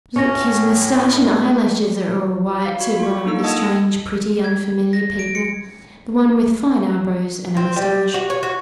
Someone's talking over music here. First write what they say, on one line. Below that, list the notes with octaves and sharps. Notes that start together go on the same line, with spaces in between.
"Look, his mustache and eyelashes are all white!" said one of the strange, pretty, unfamiliar people--the one with fine eyebrows and mustache.
A2 C#4 C#6 A#6
F5
F#4 B5
F4 C#6
A#3 D4 D#4 A4 E6
D#5 F#5 A5 D#6 G#6
G#6
A#6
D7
C#7
C4
G3
F#4
C#5
F#4